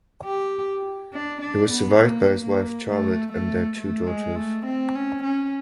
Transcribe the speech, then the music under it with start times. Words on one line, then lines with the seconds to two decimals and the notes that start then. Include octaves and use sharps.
He was survived by his wife Charlotte and their two daughters.
0.25 G4
1.13 D4
1.42 D4
1.71 B3
2.01 A#3
2.45 A#3
2.88 A3
3.33 A3
3.77 A3
4.07 G#3
4.36 A3
4.66 C4
4.95 C#4
5.24 C#4